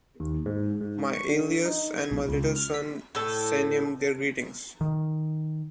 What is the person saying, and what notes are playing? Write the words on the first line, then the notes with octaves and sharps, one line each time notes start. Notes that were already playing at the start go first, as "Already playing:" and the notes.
My Aelius and my little son send him their greetings.
D#2
G#2
G#2
C#6
D3
D#4
G#6
B1
C#2
F6
B6
A2 A4
D#3